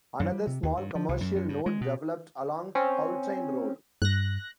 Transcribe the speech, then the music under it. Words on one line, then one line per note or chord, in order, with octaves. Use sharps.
Another small commercial node developed along Haultain Road.
F#2
G3
C3
D#2
G2
F3
C2
F#2
F#2
G2
G#3
B2
C4 C#4
G2 F#6 A#6